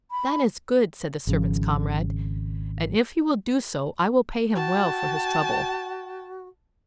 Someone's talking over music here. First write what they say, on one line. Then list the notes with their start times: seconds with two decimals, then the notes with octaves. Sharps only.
"That is good," said the servant's comrade, "and if he will do so I will pay him well for his trouble."
0.11 B5
1.27 G#1 C#3 F3
4.53 F#4 G5 A5